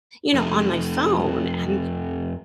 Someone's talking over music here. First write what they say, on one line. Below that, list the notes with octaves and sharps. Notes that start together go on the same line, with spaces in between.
you know, on my phone, and
F2 A3